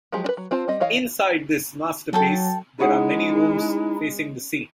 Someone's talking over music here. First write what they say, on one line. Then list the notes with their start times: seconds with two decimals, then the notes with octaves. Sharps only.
Inside this masterpiece there are many rooms facing the sea.
0.12 F3 F#3 G#3 G4 G#4
0.24 D4 B4
0.37 F#3
0.51 C4 F4 C5 A5
0.68 G3 C4 D#5
0.80 E3 C#5 D#5 F5
2.13 F#3 A4 G5 A5
2.80 G#3 C#4 D#4 E4 G#4 F#5